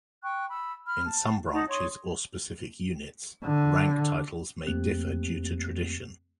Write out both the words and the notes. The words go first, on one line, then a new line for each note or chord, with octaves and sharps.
In some branches or specific units, rank titles may differ due to tradition.
G5 C#6 F#6
B5 E6
B5 F6
A5
D#4 F#5 A5
C#5 C6 C#6 D#6
D3
F2 A3 A#3 C4 G4 F#6